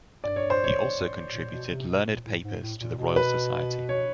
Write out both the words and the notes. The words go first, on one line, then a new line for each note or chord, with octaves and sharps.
He also contributed learned papers to the Royal Society.
G2 D5
C#5
C5
C#5
G2
A#2
B2
C3
B2
A#2
A2
G#2
A2
A#2
B2
B4
C#5